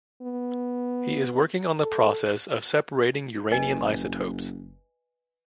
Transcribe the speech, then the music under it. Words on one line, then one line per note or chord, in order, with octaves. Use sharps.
He is working on the process of separating uranium isotopes.
B3
A4
F#1 B4 D#5 G#5